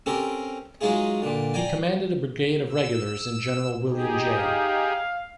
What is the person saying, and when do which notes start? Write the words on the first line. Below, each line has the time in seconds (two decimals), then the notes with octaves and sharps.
He commanded a brigade of regulars in General William J.
0.06 C4 C#4 G4 A4 A#4
0.81 F#3 G#3 D#4 F4 G#4
1.22 A#2 D3
1.54 D5 G5 G#5 A#5
2.70 E6
3.89 D#4 G4 G#4
4.36 F5